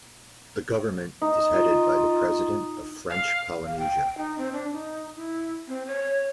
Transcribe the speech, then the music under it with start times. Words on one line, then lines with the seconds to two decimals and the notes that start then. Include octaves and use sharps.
The government is headed by the President of French Polynesia.
1.22 D#4
1.54 F4
3.10 F5
3.66 F5
3.79 G5
4.18 D#4
4.38 C4
4.53 D4
4.73 D#4
5.16 E4
5.68 C4
5.87 C#5